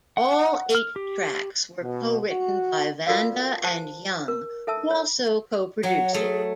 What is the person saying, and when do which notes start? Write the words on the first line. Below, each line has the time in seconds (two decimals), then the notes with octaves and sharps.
All eight tracks were co-written by Vanda and Young, who also co-produced it.
0.17 F#5
0.75 F6
0.96 G4
1.82 B2
2.28 F#4
3.07 F4 F#4 A4 A#4 D5 F5
3.64 C5 A5
4.28 A#4
4.67 A4 E5 A5 E6
4.91 C#5
5.83 F#3 F#5
6.14 A3 G#4